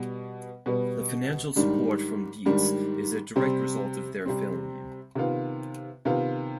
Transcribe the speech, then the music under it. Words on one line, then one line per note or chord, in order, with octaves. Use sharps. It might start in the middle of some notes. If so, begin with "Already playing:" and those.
The financial support from Beats is a direct result of their film.
Already playing: B2 G3 B3
B2 G3 B3
G#2 D#3 G3 D4
G#2 D#3 G3 D4
C3 G3 C4
C3 G3 C4
C3 D#3 B3 F4
C3 D#3 B3 F4